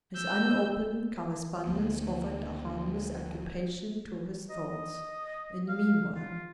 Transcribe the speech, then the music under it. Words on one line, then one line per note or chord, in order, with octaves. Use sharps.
His unopened correspondence offered a harmless occupation to his thoughts, in the meanwhile.
E6 G6
D2 A#3
D#5
F5
F4